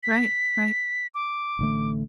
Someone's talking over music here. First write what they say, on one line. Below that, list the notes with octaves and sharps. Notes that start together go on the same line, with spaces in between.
Right, right.
B6
D6
A1 D3 A3